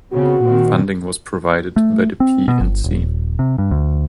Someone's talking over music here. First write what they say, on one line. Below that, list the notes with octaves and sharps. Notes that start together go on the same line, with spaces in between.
Funding was provided by the P and C.
C#3 B3 C4 F#4
A#2 D#3 C4
A3
C4
B2
G1
D#1
C3
G2
D2